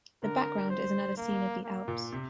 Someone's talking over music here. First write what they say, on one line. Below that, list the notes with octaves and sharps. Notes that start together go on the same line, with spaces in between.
The background is another scene of the Alps.
D3 A#4
C5
A#3
A#3
A#2
C3